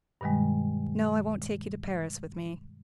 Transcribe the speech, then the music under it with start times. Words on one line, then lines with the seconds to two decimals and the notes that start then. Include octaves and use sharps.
No, I won't take you to Paris with me.
0.21 G2 B2 D#3 G3 G#3